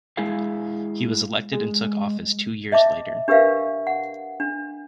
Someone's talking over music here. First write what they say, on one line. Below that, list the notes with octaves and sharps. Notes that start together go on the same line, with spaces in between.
He was elected and took office two years later.
G#3 E4 G#4 F5
G#3
D#5 E5 A5 D6
D4 G4 A#4 B4 E5 F5
F#5
D4